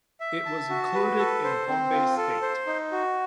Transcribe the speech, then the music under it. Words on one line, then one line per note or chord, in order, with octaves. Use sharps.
It was included in Bombay state.
E5
A5
F#4
B4
A4
C5
C4
F4
A4
C5
D#4
F#4